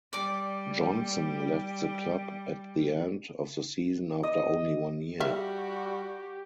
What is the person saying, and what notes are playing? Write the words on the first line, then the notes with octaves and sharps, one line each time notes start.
Johnsson left the club at the end of the season after only one year.
G3 D5 D6
D#5
G3 F#4 G4 E5 F5